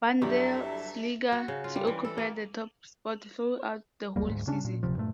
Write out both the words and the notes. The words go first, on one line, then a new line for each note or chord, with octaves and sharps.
Bundesliga to occupy the top spot throughout the whole season.
G1 F#3 G3 E4 G4 A4 E5 D6
F#4
C#3
F4
G3
E3
A4
A#3
F1 D2 G3 A#3
D2 G#2
C#3 C#4 D4
A#2
D1 C3 F3
G2 A#2 A3